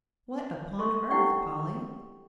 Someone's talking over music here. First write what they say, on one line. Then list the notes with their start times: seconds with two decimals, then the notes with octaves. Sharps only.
"What upon earth, Polly!"
0.79 A4 C6 C#6
1.10 D4 E4 G4 F#5 G5 C#6